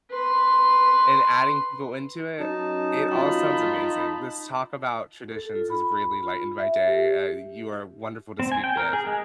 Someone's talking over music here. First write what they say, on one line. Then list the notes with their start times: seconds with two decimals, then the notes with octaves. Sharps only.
And adding people into it. It all sounds amazing. This talk about traditions has really lightened my day, uh, you are wonderful to speak with.
0.12 B4 C6
2.39 F#2 D#4 A5
3.11 F4 B5
5.32 A4
5.56 F4
5.70 B5
6.23 F4
6.59 E5
6.87 G4
8.40 C4
8.52 G#5
8.64 G5
8.77 A#4
8.93 G#4
9.07 G#3